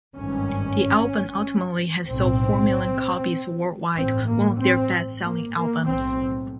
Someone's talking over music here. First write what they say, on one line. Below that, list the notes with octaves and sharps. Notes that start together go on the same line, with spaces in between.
The album ultimately has sold four million copies worldwide, one of their best-selling albums.
G#1 G2 C#4
B1 A2 C4
A1 G2 C4
A#3
C4
A#3
A#3
B1 A2 C4